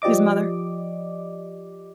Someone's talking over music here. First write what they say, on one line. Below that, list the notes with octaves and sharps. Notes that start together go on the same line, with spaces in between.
His mother.
F3 G4 D5 D#5 D6